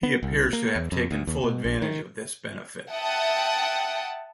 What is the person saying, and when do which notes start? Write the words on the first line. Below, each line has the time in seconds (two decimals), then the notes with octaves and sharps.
He appears to have taken full advantage of this benefit.
0.03 B3
0.23 C2
0.53 A#3
0.75 E2
0.92 F2
1.11 D2
1.27 D#2
1.44 B2
1.65 A#1
1.82 D#3
2.91 E5 F#5 G5 A5 D#6